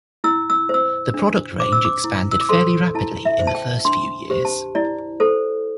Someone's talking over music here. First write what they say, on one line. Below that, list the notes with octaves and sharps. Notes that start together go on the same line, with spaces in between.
The product range expanded fairly rapidly in the first few years.
E4 E6
E6
C5 E6
D4
C5 D6
E6
D6
E4
E6
D6
A4 C5 C6
E4 A5
E5
C5
A5
G5
D4 C6
G4 C5
A5
E4 D5
A4 C5